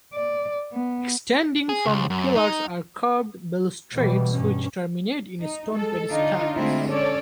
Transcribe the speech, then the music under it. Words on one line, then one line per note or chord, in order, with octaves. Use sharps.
Extending from the pillars are curved balustrades which terminate in stone pedestals.
D5
B3
G#4
C#2
F#2
D#4
B2 E3 G3
G2 C#4
D#4
G#3 A4
D3 D4 D#4 F4
D3 G#3 A3 C4 E4 F4
C#4 A4 C#5 D5